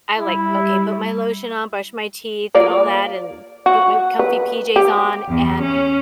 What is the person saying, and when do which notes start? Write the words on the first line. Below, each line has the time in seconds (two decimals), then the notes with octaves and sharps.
I like, okay, put my lotion on, brush my teeth and all that, and put my comfy PJs on and
0.19 G3 E4
2.55 A#3 F4 D5
3.66 F#4
4.19 B4
4.76 G4
5.29 E2
5.61 C#4